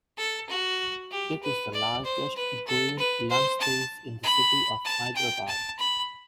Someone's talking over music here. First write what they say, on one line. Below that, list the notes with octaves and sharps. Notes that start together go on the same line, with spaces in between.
It is the largest green lung space in the city of Hyderabad.
A4
F#4
G4
B4
D5
C5
B4
A4
B4
C5
A5
B5
A5
G5
A5
B5